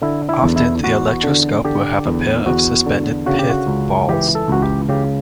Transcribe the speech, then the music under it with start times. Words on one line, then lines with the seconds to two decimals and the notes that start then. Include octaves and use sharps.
Often the electroscope will have a pair of suspended pith balls.
0.02 D3 E4
0.29 E4
0.43 E2
0.56 E4
0.84 E2 F#4
1.24 D3
1.65 D3 G4
2.06 E2
2.46 E2 F#4
2.86 D3
3.26 C#3 F#4
3.39 G4
3.49 F#4
3.67 C#2
4.09 E3 G4
4.35 A4
4.48 C#2 F#4
4.62 G4
4.89 C#3 G4